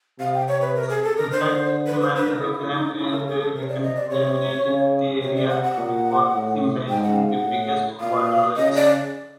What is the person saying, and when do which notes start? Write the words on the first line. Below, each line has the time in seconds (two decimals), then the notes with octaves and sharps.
In fact, men reclaimed and decontaminated the area before embanking the biggest waterways.
0.20 C3 F5
0.34 G5
0.48 C#5
0.61 B4
0.76 A#4
0.90 G#4
1.03 A4
1.17 A#4
1.31 D3 C5
1.87 B4
2.01 C5
2.16 B4
2.28 A#4
2.43 E4
2.71 D#4
2.99 C#3 E4
3.12 A#4
3.20 A4
3.27 G#4
3.41 A4
3.54 C3 A#4
3.63 C#5
3.68 D5
3.83 D#5
3.96 D5
4.10 C3 C#5
4.66 C#3
5.22 C3 C#5
5.36 D5
5.50 F#5
5.64 F#5
5.78 A#2
6.34 A2
6.89 G#2 G5
7.03 F#5
7.16 F5
7.29 F#5
7.44 A2
8.00 A#2 F5
8.56 C#3 D#5
8.75 D5